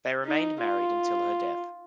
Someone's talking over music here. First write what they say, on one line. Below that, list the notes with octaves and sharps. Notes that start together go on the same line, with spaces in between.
They remained married until her death.
D#4
F4